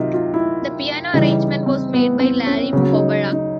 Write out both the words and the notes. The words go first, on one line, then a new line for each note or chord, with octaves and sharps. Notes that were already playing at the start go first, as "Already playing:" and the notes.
The piano arrangement was made by Larry Muhoberac.
Already playing: C3 D#3 F#3 D#4 F4
F4
E4
C#3 E3 G3 D#4
C4
B3
C4
C#4
C#3 F#3 C#4
D#4
D#4